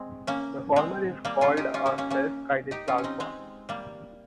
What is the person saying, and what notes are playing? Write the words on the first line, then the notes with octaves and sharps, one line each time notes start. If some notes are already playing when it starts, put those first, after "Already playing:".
The former is called a self-guided plasma.
Already playing: G#3 C4
A#3 C#4
G#3 C4
G3 A#3
C#4 F4
D#4 G4
C#4 F4
A#3 C#4
A#3 C#4
A#3 C#4
D#4 G4
C#4 F4
C#4
C4 D#4
G#3 C4
G3 A#3